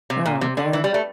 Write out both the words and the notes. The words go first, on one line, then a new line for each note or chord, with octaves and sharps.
Oh, darn.
C3
A#2
C3
D3
E3
G3
A3